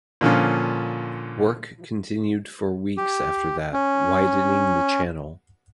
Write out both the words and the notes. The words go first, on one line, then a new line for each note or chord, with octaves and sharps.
Work continued for weeks after that, widening the channel.
A#2 D3 F3 C#4
G4
C#4